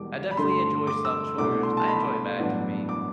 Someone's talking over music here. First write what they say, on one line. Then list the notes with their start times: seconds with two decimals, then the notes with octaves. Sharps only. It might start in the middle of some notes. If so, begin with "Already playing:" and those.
I definitely enjoy some chores, I enjoy vacuuming.
Already playing: E1 E2 B2 G3 D6
0.31 B5
0.37 G2 D3 A3 C6
0.87 D6
1.05 E6
1.37 C2 B2 A3 D4 D6
1.63 C6
1.77 A5
1.88 B5
2.39 A1 G2 F#3 B3 D4
2.89 D6